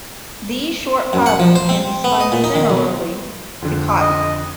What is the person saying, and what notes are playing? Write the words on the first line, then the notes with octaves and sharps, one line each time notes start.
These short fibres can be spun similarly to cotton.
F#2
F#5
F3
C5
C4
B3
D#5
A#2
D#4
D#3
B1
F2 D3
D#5